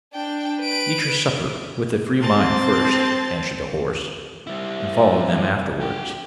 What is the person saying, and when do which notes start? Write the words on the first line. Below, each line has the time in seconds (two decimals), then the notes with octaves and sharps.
'Eat your supper with a free mind first,' answered the horse, 'and follow them afterwards.'
0.14 D4 G5
0.61 B4 D7
2.20 C4 C5 A5
4.47 G3 E4
5.81 F#4 G5